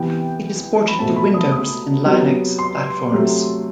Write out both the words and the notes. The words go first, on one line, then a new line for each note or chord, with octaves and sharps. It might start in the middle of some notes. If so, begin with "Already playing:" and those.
It is ported to Windows and Linux platforms.
Already playing: C3 E3 B3 G5
B5
B2 A3 C4 A5
B5
D#6
D#6
C3 F#3 B3
C6
C3 F#3 A3